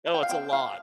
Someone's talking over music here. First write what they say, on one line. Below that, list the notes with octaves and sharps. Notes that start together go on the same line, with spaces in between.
Oh, it's a lot.
F3
G5
F5
C4 G5
F3 F5